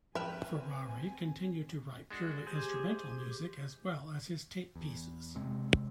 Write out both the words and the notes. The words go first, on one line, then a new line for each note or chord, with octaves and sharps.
Ferrari continued to write purely instrumental music as well as his tape pieces.
F3 C4 B4 E5 G5 G#5 F6
G#3 D4 F#4
G4 G#4 C5
E2
C3 G#3 C4